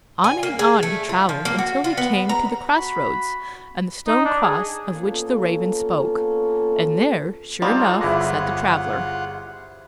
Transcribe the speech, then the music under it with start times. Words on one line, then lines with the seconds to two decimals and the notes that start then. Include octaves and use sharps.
On and on he travelled, until he came to the cross-roads and the stone cross of which the raven spoke, and there, sure enough, sat the traveller.
0.24 G#5
0.43 A#3
0.59 G#4
0.83 A3
1.09 F4
1.29 F3
1.45 A#3
1.58 F#4
1.84 F4
1.97 B3
2.29 A#5
2.75 F#4 B5
4.07 D#4
4.25 D4
4.44 G#4
4.93 A#3 B3 C#4 F4 A4
7.62 G3 D#4 F4 G#4 A4 C5
8.01 G1 E4 F4 G#4 F#5 D6 A#6